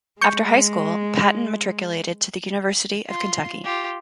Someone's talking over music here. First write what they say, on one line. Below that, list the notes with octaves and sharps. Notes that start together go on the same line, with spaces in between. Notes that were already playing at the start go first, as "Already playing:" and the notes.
After high school, Patton matriculated to the University of Kentucky.
G#3 C#6 G6 C#7
F4 C6
F4 G4